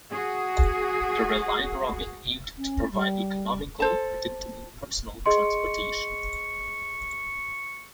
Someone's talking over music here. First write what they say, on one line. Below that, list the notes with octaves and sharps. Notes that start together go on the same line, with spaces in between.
The Reliant Robin aimed to provide economical, predictable personal transportation.
F#4 G#4
C#4
G3
A4 C5 A5
G#4 D#5 C6 C#6